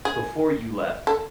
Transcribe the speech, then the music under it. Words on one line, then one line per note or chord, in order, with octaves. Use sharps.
Before you left,
G#4
A4